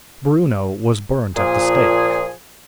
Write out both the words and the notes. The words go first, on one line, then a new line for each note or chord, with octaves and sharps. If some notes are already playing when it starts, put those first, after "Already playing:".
Bruno was burnt at the stake.
A#2 F3 G#4